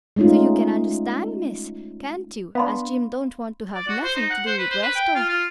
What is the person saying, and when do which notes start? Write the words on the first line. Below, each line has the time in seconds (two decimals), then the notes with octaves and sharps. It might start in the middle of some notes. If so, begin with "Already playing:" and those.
So you can understan', miss, can't you, as Jim don't want to have nothing to do with Westall?
0.16 G#3 A3 C#4 D#4 F4
2.55 B3 D4 F5 B5 C6
3.74 D5
3.88 F#4
4.04 C5
4.16 D#4
4.30 F#5
4.46 C5
4.58 B4
4.70 C5
4.82 B4
4.95 G5
5.15 F4
5.29 F4